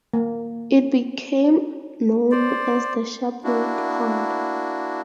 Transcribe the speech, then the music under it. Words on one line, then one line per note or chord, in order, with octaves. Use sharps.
It became known as the Shapwick Hoard.
A#3
C5 D5
A#3 D4 E4 F#4